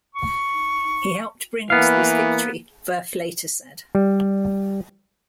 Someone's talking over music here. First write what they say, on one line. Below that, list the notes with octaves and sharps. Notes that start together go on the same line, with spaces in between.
He helped bring us this victory, Wurf later said.
C#6
E3 A#3 B3 F5
G3